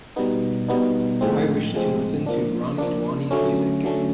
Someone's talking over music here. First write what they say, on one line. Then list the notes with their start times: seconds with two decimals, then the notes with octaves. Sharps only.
I wish to listen to Roni Duani 's music.
0.16 B2 G3 B3 D#4
0.68 B2 G3 B3 D#4
1.21 A2 F3 G#3 C4
1.74 A2 F3 G#3 C4
2.26 F3 A#3 D4
2.78 F3 A#3 D4
3.31 D3 F#3 A3 C#4
3.83 D3 F#3 A3 C#4